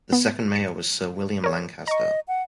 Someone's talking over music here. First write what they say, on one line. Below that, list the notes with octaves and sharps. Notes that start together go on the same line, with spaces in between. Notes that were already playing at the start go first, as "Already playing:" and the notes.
The second Mayor was Sir William Lancaster.
B3
C#7
A#4 C#5
D#5 A#5 C#6
F#5